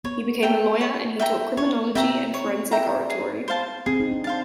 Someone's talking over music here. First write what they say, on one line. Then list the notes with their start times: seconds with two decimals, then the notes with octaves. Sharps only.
He became a lawyer and he taught criminology and forensic oratory.
0.04 B3 C#5
0.42 E5 G5 A#5
0.81 C#5
1.19 E5 G5 A#5
1.57 B3 C#5
1.95 C4 E5 G5 A#5
2.34 C#5
2.71 E5 G5 A#5
3.10 G#4
3.48 C5 F5 A5
3.86 C4 G#4
4.00 D#4
4.11 D4
4.24 C5 F5 A5